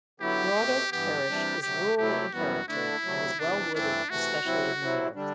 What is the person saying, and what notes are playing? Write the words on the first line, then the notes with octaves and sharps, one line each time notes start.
Broadoak parish is rural in character and is well wooded, especially in the north.
D3 F#3 B3 E4 G4
B2 A3 C4
G2 E3 B3 G4
E2 C3 G3 D4
D2 C3 F#3 G4
C3 F#3 A3 E4 G4
F#2 E3 G3 B3 F#4
D3 A3 D4 E4
D2 C3 F#3 A3
E2 C3 E3 D4
G2 E3 A3 C4 D4 E4
C3 E3 A3 F#4
C3 F#3 C4 E4
C3 F#3 C4 E4
D3 G3 D4